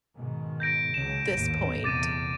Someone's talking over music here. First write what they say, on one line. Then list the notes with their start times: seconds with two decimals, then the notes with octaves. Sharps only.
this point
0.16 G#2 B2 D#3
0.60 G6 A#6 D7
0.94 C#2 C#3 F#3 E7
1.29 A1 D#2 G#2
1.84 F1 A#1 E2 D6 A6 D#7